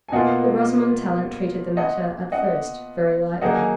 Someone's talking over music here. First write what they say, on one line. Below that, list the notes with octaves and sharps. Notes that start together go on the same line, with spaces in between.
But Rosamond Tallant treated the matter, at first, very lightly.
G#5
B2 A#3 F4 D#5 F#5
D#5 F#5
D#5 F#5
D#3 F#3 A#3 D#4 G#4 D#5 F#5
G#5